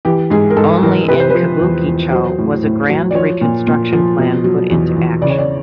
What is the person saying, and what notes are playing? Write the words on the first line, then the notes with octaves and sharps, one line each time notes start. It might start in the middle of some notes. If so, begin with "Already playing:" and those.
Only in Kabuki-cho was a grand reconstruction plan put into action.
E3 G4
G#2 G#4
A#4
G#2 A4
E3 A#4
C3 B4
C5
F3 B4
E2
E2
F#3 C5
A2
A2
F#3
D5
F3 C#5
A#2
A#2
F3
B2
F#3
E2
E2
C#3 D5
C#5
D5